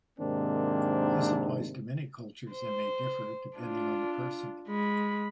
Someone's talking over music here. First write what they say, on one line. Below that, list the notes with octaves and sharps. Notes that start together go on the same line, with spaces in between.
This applies to many cultures and may differ depending on the person.
G#2 C3 D#3 A#3 C4 D4
C5
D4 F4
G#3 B5